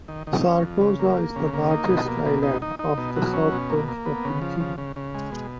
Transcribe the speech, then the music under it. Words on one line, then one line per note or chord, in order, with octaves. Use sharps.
Sartosa is the largest island off the south coast of Luccini.
D#3
D#3
C#4
F2
C#3
A#3
A#3
C#3
A#3
D#4
B2
A#3
B2
D#4
D#4
D#4
B2
F#3
C#4
B2
A#3
A#3
B3
C#3
F3
C#3
C#3
C#3
G#3
B2